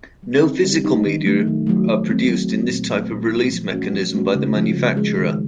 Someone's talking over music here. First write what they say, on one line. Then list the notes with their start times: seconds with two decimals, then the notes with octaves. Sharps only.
No physical media are produced in this type of release mechanism by the manufacturer.
0.23 G3
0.43 C4 D#4
0.64 G3
0.85 C4 D#4
1.06 D#3
1.26 F#3 A3
1.47 D#3
1.67 F#3 A3
1.88 F#3
2.09 A3 C4
2.29 F#3
2.50 A3 C4
2.70 A#2
2.90 F#3 A3
3.11 A#2
3.33 F#3 A3
3.52 F3
3.73 A3 C#4 F#4
3.94 F3
4.14 A3 C#4 F#4
4.35 C#3
4.56 F3 G#3
4.77 C#3
4.97 F3 G#3
5.18 D#3